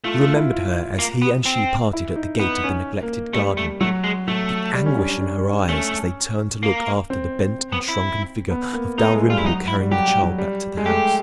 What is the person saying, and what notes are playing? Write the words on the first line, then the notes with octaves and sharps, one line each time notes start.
He remembered her as he and she parted at the gate of the neglected garden, the anguish in her eyes as they turned to look after the bent and shrunken figure of Dalrymple carrying the child back to the house.
A3 F4
F4
E4
F4
A#3
B3
C4
E4
D#4
B3 D#4
C#4
A#3
G3 A3
A3
F#3 A3
G#3
F#3 A3
G3
C#4
D4
D4
D4
A3 C#4
A#3
C4
B3
E4
B3
A#3
A3 D#4
G#3
G3 F4
E4
F#3 D#4
E4
G3
F#3 G4
G3
F#3
G3
G#3
A3 G4